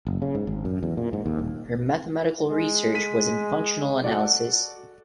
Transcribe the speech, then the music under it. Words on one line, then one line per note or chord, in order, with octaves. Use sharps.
Her mathematical research was in functional analysis.
F#1
C#3
G#2
G#1
F#2
E2
A#2
G#2
D#2
D#1
G#3
B6 D#7
F#4 A4 D5